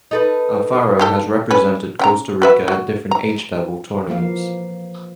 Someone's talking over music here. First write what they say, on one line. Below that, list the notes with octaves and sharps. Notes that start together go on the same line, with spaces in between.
Alfaro has represented Costa Rica at different age level tournaments.
D#4 A4 B4
D#3 G4 A4
C#4 B4
C#4 G5 A#5
F#4 B4 E5
F#4
A#5
E3 F3 A#3 F5